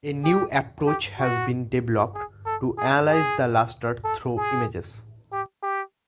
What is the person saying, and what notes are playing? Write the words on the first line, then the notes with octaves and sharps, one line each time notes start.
A new approach has been developed to analyze the luster through images.
G4
G4
F#4
G#4
A4
G#4
G#4
A4
G#4
G4
G4